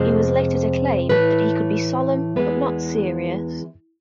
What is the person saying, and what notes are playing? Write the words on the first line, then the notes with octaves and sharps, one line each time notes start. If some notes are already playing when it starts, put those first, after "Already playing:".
He was later to claim that he could be 'solemn but not serious'.
Already playing: F2 C3 F3 G#3 C5
A2 E3 A3 B4
E2 C#3 E3 G#3 B3 B4